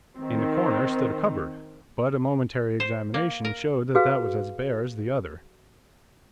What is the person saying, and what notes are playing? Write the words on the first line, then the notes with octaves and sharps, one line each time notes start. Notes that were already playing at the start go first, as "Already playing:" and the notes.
In the corner stood a cupboard,--but a momentary examination showed that that was as bare as the other.
D#3 C4
C5
A#3
A#4
F#4 G#4 B4 F5